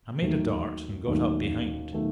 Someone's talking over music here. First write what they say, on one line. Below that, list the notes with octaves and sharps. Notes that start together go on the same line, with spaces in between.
I made a dart and got up behind.
D#2 D#3 F#3 A3
D#2 D#3 F#3 A3
D#3 F#3 A3